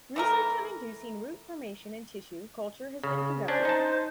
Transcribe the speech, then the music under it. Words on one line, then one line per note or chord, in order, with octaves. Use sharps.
Research on inducing root formation in tissue culture has been conducted.
E3 A3 A#4
C#3
C#4 D4 C5
D#4 A5